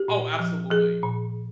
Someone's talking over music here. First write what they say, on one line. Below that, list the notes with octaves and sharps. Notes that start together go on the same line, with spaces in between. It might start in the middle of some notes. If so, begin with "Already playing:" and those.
Oh, absolutely.
Already playing: G4
A#2
F3
F3 G#4
A#2